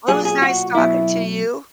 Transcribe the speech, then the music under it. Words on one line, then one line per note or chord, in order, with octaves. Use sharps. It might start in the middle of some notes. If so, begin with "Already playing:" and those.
Well, it was nice talking to you.
B1 A#2 F#3 G#4
G#4
F#4
B1 B2 F#3 E4